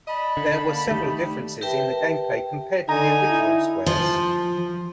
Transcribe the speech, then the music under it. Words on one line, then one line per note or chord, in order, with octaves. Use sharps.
There were several differences in game play compared to the original "Squares".
D5 D#5 A5 B5
D3
A#3
D#3 A3 G4
G4 A#4 B4 E5 G5 A5
D3 D#4 G#5 A#5
E4
F3